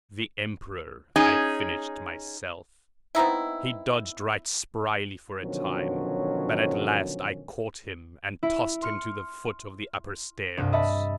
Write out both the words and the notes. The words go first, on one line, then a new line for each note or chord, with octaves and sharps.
The emperor I finished myself; he dodged right spryly for a time, but at last I caught him and tossed him to the foot of the upper stairs.
C#4 D#4 G#4
B3 C4 D#4 E4
B2 D3 D#3 F3 F#3 C#4
E4 E5
C6 F6 C#7
C2 G2
D#5 E5 A5 B5